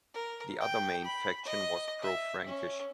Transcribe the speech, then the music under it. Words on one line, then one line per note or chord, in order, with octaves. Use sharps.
The other main faction was pro-Frankish.
A#4
G5
B5
D#5
E5
C#4